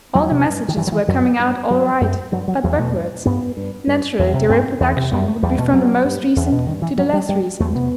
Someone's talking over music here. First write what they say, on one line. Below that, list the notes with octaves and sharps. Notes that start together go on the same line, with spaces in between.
All the messages were coming out all right, but backwards. Naturally the reproduction would be from the most recent to the less recent.
E2 F#3
C3
G2
D#3
G2 E3
F#3
E3
F#2 F#3
G2
G2 F#3
F#2
G2 F#3
F#3
E2 F#3
B2 A3
G2
G2 B3
G2
G2
E2
C3
G2 C4
E2
C3
F#2 B3
A3
E2 G3
B2 A3
G2 F#3
G2
E2
B2
G2 D#3
E3
G2 F#3
G3
G2 G3
E2 A3
C3 B3